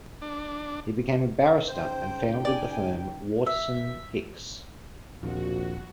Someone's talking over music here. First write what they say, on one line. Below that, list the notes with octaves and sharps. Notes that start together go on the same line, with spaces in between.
He became a barrister and founded the firm Waterson Hicks.
D4
C#3 D#4 C5 G5
D5 G#5
E5
A#1 D#2 A#2 F3 C4 F#4